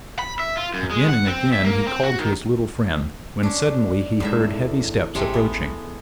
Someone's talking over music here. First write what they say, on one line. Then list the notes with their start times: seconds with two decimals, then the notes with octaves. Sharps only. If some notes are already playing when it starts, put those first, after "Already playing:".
Again and again he called to his little friend, when suddenly he heard heavy steps approaching.
0.19 B5
0.40 E5
0.57 F4
0.74 F#2
0.91 G#3
1.09 F#5
1.27 C4
1.53 E5
1.65 A#3
1.87 C4
2.03 F#4
2.18 D#3
3.43 C#4 D4
4.20 E2 A2 G#3 D#4 E5
4.58 D#2
4.81 G1
5.15 A1 C3 G#3 A3
5.33 B3